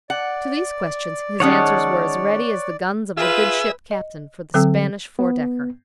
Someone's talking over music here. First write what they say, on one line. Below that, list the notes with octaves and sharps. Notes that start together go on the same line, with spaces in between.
To these questions his answers were as ready as the guns of the good ship Captain, for the Spanish four-decker.
D5 F#5
D#3 G#3 C#4 C#5 F#5 A5
F4 G#4 B4 E5 E6
D#5
D3 F#3 C4 A4 G5 E6
B3